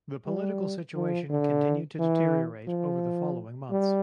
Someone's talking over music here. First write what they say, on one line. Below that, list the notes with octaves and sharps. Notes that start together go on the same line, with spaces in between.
The political situation continued to deteriorate over the following months.
G3
F3
D3
E3
F3
G3